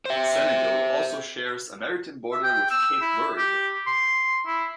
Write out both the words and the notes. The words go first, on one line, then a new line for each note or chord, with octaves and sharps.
Senegal also shares a maritime border with Cape Verde.
C5 E5
E5
G5
E6
E4
G4
C6
E4